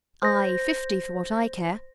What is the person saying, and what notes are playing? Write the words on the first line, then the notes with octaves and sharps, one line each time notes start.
Aye, fifty, for what I care.
C5 A#6